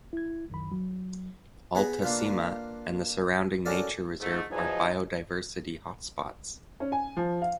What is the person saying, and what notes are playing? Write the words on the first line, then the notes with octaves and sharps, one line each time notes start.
Alta Cima and the surrounding nature reserve are biodiversity hotspots.
E4 G#6
C#2 F#2 D#3 B5
F#3
B3 G#4 B4 A#5 B5
A#3 D4 F4 B4
C#4 E4 F#4 A4 A#4 D5
G#2 A3
E2 F3 F#3 D#4 G#5
C#4
G#5
F3
F5